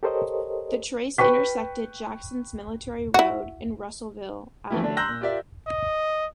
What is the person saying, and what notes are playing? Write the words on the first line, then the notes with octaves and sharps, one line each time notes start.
The trace intersected Jackson's Military Road in Russellville, Alabama.
G4 A4 A#4 C5 C#5 D#5
B4 G5 C#6 B6
E4 F#4
D3 E3 F3 A3 C#4 E4
D3 A3 D4
A#5 C6 E6 F#6 G6 A#6
A#2
F4 G4 A#4 D5 E5
D#5